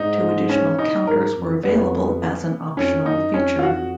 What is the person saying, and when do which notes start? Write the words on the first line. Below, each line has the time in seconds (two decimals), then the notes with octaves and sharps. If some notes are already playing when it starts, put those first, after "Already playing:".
Two additional counters were available as an optional feature.
Already playing: G#2 D#4
0.49 C#4
0.78 D#4
1.07 G#2 A#4
1.36 F2
1.64 F2 B3
2.77 F2 C#4
3.06 F#2 D#4
3.34 F2 C#4
3.58 F4
3.63 F#4